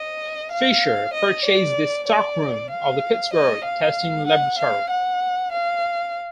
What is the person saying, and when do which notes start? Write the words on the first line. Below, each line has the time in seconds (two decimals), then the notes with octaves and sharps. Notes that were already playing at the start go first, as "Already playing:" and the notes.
Fisher purchased the stockroom of the Pittsburgh Testing Laboratory.
Already playing: D#5
0.52 F5
1.14 D#5
1.46 D5
2.08 D5
2.71 F5
3.34 D#5
3.65 F5
4.27 F#5
4.59 F5
4.90 F#5
5.52 F5